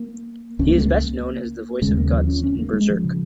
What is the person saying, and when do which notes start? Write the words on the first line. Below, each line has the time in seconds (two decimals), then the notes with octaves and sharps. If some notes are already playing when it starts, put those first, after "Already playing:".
He is best known as the voice of Guts in "Berserk".
Already playing: A#3
0.59 C#2 C#3 C#4
0.69 A#3
0.77 G#3
0.86 A#3
1.82 D#2 C#3 G#3
1.97 A#3
2.12 F3
2.27 C#4
2.44 C#4
2.59 A#3
2.73 G#3
2.90 F3
3.04 C#3